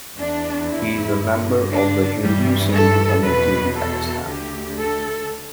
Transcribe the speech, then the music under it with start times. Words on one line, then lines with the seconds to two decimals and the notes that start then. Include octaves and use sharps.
He is a member of the Hindu Sindhi community in Pakistan.
0.17 E2 E3 D4
0.70 E4
1.20 G2 D3
1.71 D4
2.22 G2 E3 G3
2.73 A4
3.24 E2 B2 B4
3.75 A4
4.26 D2 D3 G4
4.77 A4